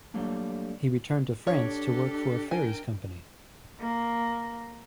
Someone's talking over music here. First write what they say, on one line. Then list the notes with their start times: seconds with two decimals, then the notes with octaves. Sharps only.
He returned to France to work for a ferries company.
0.14 F#3 G3 A3 A#3 D4
1.47 D4 G4 A4 C#5
2.51 A#4 G5 G#5
3.81 A#3